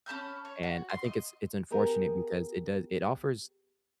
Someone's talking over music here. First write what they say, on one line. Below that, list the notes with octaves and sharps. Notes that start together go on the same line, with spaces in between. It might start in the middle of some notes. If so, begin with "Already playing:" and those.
And I think it's it's unfortunate because it does it offers,
C#4 A5 B5 G6
C#5
F#4
C6
D#5
B3 G4 G#4 A#4